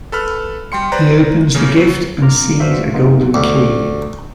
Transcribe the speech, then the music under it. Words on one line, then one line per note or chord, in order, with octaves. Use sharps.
He opens the gift and sees a golden key.
A4 B4 B5 F6
G3 G5 C6 C#7
B4 C5 D5 A#5
C#3 A#3 C#4
F#3
G2 F4 A#4 A#5 D6
B3 D4 F#4 C5 E5 F5
F#2 C3 A#3 B3 D#4 F4
D2